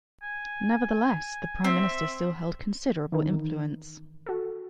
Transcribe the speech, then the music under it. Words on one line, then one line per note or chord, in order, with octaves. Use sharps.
Nevertheless, the Prime Minister still held considerable influence.
G#5
C4 E5
D#3 E3 D#4
F#4 A4